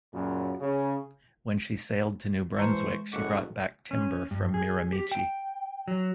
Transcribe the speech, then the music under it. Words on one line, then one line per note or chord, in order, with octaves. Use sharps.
When she sailed to New Brunswick she brought back timber from Miramichi.
F#2 A#2 C#3
C#3
E3 G#3 C5 A5 A#5 C#6
F#1 A4 D#5 F#5 C#6 D6
C#4
G2
G#4
G4
G5
F#3